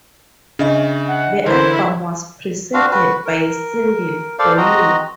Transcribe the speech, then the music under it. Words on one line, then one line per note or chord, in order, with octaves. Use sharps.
The album was preceded by single "For You".
C#3 D4 D#5 E5
F#5
D3 E3 E4 A#4 C5
C4 D4 F#4 F5
F#4 B4
A#4
A4 C5 D5 F5
C4 F#4 D#5 A#5